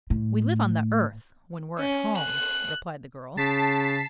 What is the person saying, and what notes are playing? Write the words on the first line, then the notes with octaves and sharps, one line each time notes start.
"We live on the Earth, when we're at home," replied the girl.
A2
C#4
F#6
C#3 A5 B6 C7